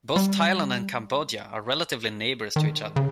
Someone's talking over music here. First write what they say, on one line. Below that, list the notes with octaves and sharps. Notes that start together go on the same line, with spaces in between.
Both Thailand and Cambodia are relatively neighbors to each other.
G3
D#3
C#3